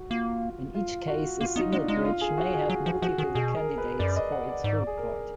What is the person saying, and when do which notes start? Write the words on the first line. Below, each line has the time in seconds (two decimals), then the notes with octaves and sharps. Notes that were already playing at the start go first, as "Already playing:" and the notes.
In each case, a single bridge may have multiple candidates for its root port.
Already playing: F#4
0.10 A#3 F4
0.75 F4
1.08 F#4
1.40 A#3 F4
1.56 B3 D#4
1.73 G#3 D4
1.88 G#3 D#4
2.05 F4
2.21 G#4
2.38 F#4
2.53 G#4
2.70 F#3
2.86 F3
3.02 F3 F#4
3.18 D#3 G#4
3.35 B2 G#4
3.57 A#4
3.78 B4
3.99 F#2 D5
4.16 D#5
4.32 F#5
4.49 D5
4.64 G#2 D5
4.87 G#4
4.97 A#4